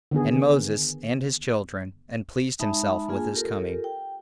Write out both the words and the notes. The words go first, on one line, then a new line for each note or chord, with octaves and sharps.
And Moses and his children, and pleased himself with his coming.
D3 D#3 B3 G#4
G#3 D#4 E5 A5 B5
A#3 D4 F4 G#4 G#5
F4 G4 A4 A#4
G5